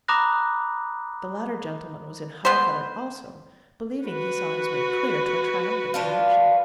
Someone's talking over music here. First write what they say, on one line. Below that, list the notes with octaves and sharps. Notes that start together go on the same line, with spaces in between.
The latter gentleman was in high feather also, believing he saw his way clear to a triumphant conviction.
A#5 B5 D6 D#6 F#6 A#6
B3 B4 C5
F#4 B4
F3 D4 F4